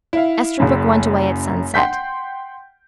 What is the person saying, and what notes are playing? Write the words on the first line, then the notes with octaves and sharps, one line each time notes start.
Esterbrook went away at sunset.
E4 F5
F#1 F#2
F#5 G5 C6 G6 B6